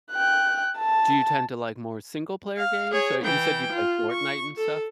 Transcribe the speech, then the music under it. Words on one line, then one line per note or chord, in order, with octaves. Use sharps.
Do you tend to like more single-player games, or you said you play Fortnite and stuff?
G5 F#6
A5
F5
G#4 C#5
E3 G5
F4
C#6
A4